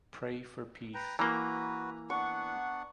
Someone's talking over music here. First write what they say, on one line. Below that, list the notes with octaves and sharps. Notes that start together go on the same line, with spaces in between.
Pray for peace.
B4 G5 A#5
E3 A#3 F#4 B4 A#5
B3 D4 F#5 C#6